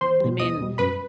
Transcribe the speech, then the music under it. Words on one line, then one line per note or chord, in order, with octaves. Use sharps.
I mean,
E2 C5 C6
B2 G3
E2 D#5 D#6
B2 G3
F#2 B4 B5